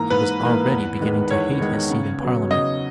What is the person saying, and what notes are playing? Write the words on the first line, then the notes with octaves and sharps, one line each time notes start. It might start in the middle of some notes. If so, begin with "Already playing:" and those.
He was already beginning to hate his seat in Parliament.
Already playing: G#2 E3 A#3 A#5
G#2 B4
E3 A#3
E2
D#3 G#3 B3
E2 C#5
D#3 G#3 B3
C#3
F#3 B3
C#3 D#5